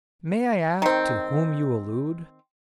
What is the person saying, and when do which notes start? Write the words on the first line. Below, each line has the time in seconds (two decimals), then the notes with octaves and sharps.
May I ask to whom you allude?
0.82 D#3 C4